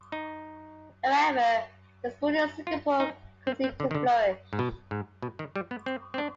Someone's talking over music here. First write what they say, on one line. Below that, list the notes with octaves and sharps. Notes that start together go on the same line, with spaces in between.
However the school in Singapore continued to flourish.
D#4
F4
D#4
C4
C4
D3
D#3
D3
G#2
B2
G#2
B2
D#3
G3
B3
C4
C4
D4